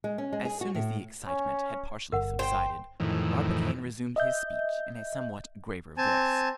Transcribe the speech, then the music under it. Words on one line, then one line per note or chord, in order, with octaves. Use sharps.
As soon as the excitement had partially subsided, Barbicane resumed his speech in a somewhat graver voice.
G#3
C#4
G#3
G#4
F#4
A2
C#4
G1 A#4 F#5
C5 G5
F2 A2 D#3 E3
D#5 E5 G6
C4 G#5 A5